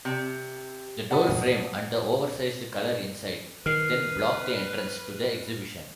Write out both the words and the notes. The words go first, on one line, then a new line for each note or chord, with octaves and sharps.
The doorframe and the oversized color inside, then block the entrance to the exhibition.
C3
D5 F#5 A5 B5 D#6
D#3 B4 F6 C7